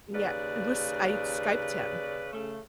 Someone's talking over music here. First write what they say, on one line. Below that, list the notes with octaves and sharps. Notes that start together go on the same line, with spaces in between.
yeah, it was I Skyped him.
D#2 C#3 B4 D5
C#3 A3